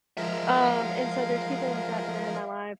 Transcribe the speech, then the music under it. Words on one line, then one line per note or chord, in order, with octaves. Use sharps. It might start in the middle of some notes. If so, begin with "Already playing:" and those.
Um, and so there's people like that that are in my life
F3 G#3 A#4 E5 F5